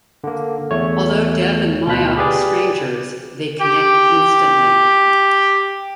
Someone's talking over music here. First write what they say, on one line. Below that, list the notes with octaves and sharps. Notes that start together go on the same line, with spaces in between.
Although Dev and Maya are strangers, they connect instantly.
D3 A#3
E2 A3 C#5
D2 B2 F4 B5 F#6
G4 G#4 B4 D5
G4 G5